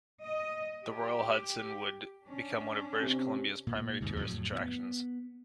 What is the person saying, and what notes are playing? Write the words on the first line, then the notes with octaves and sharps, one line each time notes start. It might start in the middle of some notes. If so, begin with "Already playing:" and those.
The Royal Hudson would become one of British Columbia's primary tourist attractions.
D#5
G4
C#4 D4
C3
A#2
D#2 G#2 C3
F2 A2 C#3 F#3
B3